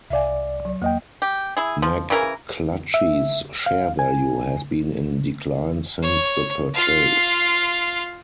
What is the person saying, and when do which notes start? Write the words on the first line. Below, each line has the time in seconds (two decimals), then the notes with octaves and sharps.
McClatchy's share value has been in decline since the purchase.
0.10 C2 D5 E5 F5 G#5
0.65 F#3
0.82 E2 A#3 D#5 G5
1.22 G4
1.57 E4 G#4
1.82 F3
2.10 C#3 E3 A#4 G#5
2.94 E5
3.66 F5
3.99 G#5
6.02 C#5
6.74 F4 F5